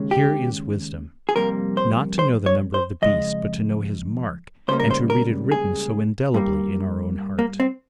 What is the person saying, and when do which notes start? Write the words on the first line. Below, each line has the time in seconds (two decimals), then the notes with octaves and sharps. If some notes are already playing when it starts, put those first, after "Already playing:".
'Here is wisdom': not to know the number of the beast, but to know his mark, and to read it written so indelibly in our own heart.
Already playing: D#2 C#3 G#3
0.11 G4
1.29 G#4
1.36 F2 C3 G3 A#3 A#4
1.77 C5
2.19 C5
2.46 C#5
2.74 C5
3.02 F2 C#3 G#3 D#5
4.68 C#2 C#3 G3 A#3 C5
4.80 A#4
4.91 C5
5.10 A#4
5.52 G#4
6.34 G2 G3 A#3
7.39 A#3
7.60 C4